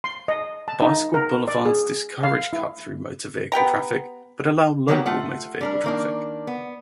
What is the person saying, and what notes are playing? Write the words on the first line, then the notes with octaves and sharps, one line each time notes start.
Bicycle boulevards discourage cut-through motor-vehicle traffic but allow local motor-vehicle traffic.
C6
D#5
A5
D#4
A#4
D5
G#4
F5
E4
B3 G4 G5 A#5
D#3 F#3 A#3 B3 G4 F#5
A3 F4 F#5
G3 D4 A#4
D#3 A#3 D4
B3